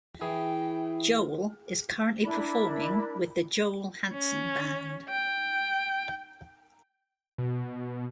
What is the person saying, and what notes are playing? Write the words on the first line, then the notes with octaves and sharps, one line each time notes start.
Joel is currently performing with The Joel Hanson Band.
E3 E4 G#4 G5
D4 E4 A#4 B5
C#4
G5
B2